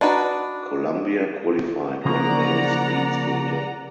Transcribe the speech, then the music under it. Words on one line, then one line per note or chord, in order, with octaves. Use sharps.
Colombia qualified one male speed skater.
D4 D#4 F#4 B4
C#3 F3 A#3 D5 F#5 A#5